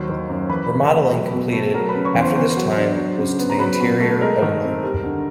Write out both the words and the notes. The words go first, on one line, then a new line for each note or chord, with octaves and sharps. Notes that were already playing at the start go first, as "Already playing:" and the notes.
Remodeling completed after this time was to the interior only.
Already playing: D#2 F#3 C5
D#3
F#2
E3 B4 B5
C3
A3
F#3
B2
A3
F#3 A#4 A#5
B4 B5
C#3
C#5 C#6
E2
C5 C6
B3 C5 C6
F#3
D4
F#3
C#3
B3
A#5
F#3 B4 B5
B2
A3
G#3 A#4 A#5
D#3
C4
G3
D3